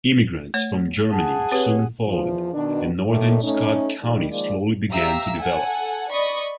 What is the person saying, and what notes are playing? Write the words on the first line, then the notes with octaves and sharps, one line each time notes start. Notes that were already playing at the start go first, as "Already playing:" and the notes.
Immigrants from Germany soon followed, and northern Scott County slowly began to develop.
A3 C#5
G#4 F#5 A5
C4 G4 B4 C#5
E2 F3
B2 D#3 D4
F#2 A2 D#3 A3 D5
A3 C#4 D#4
D#3 G3
D#3 F3 G#3 A#3 D5
G4 E5 F5 A#5 E6
A4 F#5 G#5
D5 D#5 B5 C#6 D#6